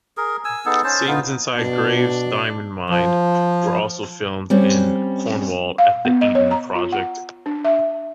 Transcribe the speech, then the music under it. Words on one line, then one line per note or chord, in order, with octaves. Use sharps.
Scenes inside Graves' diamond mine were also filmed in Cornwall, at the Eden Project.
G#4 A#4
G#5 E6
B3 D#4 G#4 A4
C#4 C5 A5
B3 D#4 F4
B2 D4
F3
G3 C4 C#4
F5
B3
D#5
C#5
A#5
F4
F#5
D4
E5